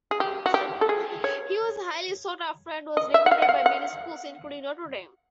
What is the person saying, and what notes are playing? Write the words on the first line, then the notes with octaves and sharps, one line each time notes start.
He was highly sought after and was recruited by many schools, including Notre Dame.
G#4
G4
F#4
G4
A4
G#4
C#5
D#5
E5
F#5
F5
F#5
F5
F#5